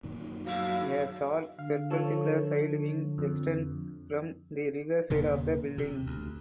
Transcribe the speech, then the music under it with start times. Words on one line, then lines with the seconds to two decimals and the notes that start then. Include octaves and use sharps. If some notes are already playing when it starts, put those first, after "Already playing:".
A short perpendicular side wing extends from the rear side of the building.
0.03 F#2 A#2 D#3
0.46 A2 F#3 G#3 E5 F5
1.59 D3 F5
1.90 F3 A4 C#5
3.18 F2
5.10 D#2 A#2 C#3 E3
5.78 C3
6.07 D2